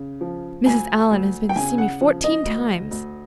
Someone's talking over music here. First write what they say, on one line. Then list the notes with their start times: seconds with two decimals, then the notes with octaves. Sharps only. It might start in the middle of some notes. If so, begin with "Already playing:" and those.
Mrs. Allan has been to see me fourteen times.
Already playing: C#3
0.21 F3
0.66 D2 G#5
1.11 D2
1.49 G5
1.56 C#3 G#5
1.78 F#5
2.01 F3
2.24 D#5
2.45 D2
2.91 D2